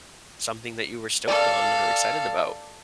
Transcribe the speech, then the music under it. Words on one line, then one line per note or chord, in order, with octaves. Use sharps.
something that you were stoked on or excited about?
A4 D5 F5